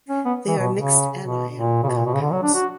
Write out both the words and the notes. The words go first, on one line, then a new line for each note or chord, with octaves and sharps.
They are mixed anion compounds.
C#4
B3
E3
B2
C#3
B2
A#2
C#3
B2
A#2
B2
C#3
D3
F#3
D4
F#4